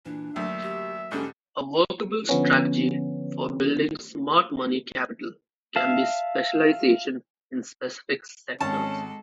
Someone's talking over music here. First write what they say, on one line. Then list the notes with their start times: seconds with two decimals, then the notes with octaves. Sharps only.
A workable strategy for building smart money capital can be specialization in specific sectors.
0.05 A#2 E3 D4
0.36 D2 F#3 A#3 E5
0.62 G4
1.12 G#2 D3 G3 C#4
2.29 D3 F3 B3 C#4
5.76 E5 F5 A5
8.61 G#1 G#3 C#4 A4 A5